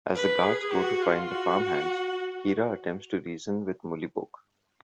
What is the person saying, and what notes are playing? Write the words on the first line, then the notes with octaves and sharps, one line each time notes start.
As the guards go to find the farmhands, Kira attempts to reason with Mullibok.
B4
G#4
F#4
F4
F#4